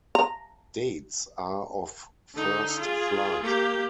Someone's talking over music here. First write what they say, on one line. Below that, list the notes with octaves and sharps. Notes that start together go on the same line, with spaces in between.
Dates are of first flight.
A#5
D3 D#4
F4 G#4
A#3 G4